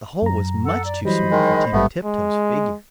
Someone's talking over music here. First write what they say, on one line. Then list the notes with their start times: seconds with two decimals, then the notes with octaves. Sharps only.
The hole was much too small for Timmy Tiptoes' figure.
0.22 F#2 A#5
0.65 A4 F#5 E6
0.85 D5
1.05 E3 F#3 G3 C5 D#5 B5
1.31 D#3 G#3
1.73 A1 G#2 G3 A3 B3
2.05 G#3